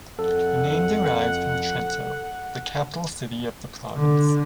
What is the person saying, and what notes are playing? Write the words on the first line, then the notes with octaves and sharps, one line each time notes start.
The name derives from Trento, the capital city of the province.
F2 A4 F#5
D3